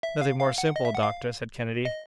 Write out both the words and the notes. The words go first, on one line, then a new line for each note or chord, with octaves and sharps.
"Nothing more simple, doctor," said Kennedy.
E5
F5
F5
F#5
D#5
E5
F#5
F5
D#5